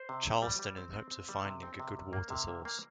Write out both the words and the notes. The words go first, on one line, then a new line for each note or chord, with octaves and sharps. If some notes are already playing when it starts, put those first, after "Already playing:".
Charleston in hopes of finding a good water source.
Already playing: C5
C3
C4
G3
G3
C4
C4
C4
G3
C3
C4
C3
G3
A#3
C3
A#3
A#3